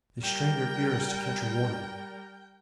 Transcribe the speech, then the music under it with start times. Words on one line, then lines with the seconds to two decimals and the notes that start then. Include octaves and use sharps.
They strained their ears to catch a warning.
0.23 G3 A#4 G5